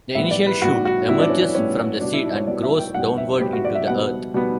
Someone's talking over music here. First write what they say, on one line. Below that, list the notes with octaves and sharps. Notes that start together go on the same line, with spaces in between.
The initial shoot emerges from the seed and grows downward into the earth.
A2 G3 B3 E5
D5
B4
A2 G3 B3 F#4
F#4
A2 G3 B3 E4
D4
C#4
D4
A2 G3 B3 C#4
B2 G3 B3 D4
E4
D4
C#5
B2 G3 B3 D5
E5
G5
B2 G3 B3 F#5
E5
B2 G3 B3 G4
F#4
D5
E5
B2 G3 B3 F#5
B2 G3 B3